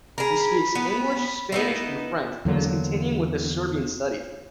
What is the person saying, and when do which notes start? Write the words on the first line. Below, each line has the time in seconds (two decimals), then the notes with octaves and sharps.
He speaks English, Spanish and French, and is continuing with his Serbian studies.
0.18 G#4 A#4 B5
0.75 B3
1.52 B3 D#4 E4
2.45 E2 D3 F#3 A#3